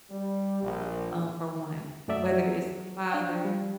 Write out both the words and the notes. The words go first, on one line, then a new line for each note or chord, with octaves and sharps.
uh, for one, whether it's the father,
G3
A#1
F#2 F#3 A3 D5 E5
F#3
D4 F5 G5
G3